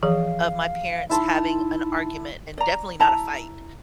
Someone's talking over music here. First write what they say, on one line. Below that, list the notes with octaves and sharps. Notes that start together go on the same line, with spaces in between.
of my parents having an argument, and definitely not a fight.
E3 F3 G#4 F5
D#4 E4 A5 C6
D5 A#5
E4 A5 A#5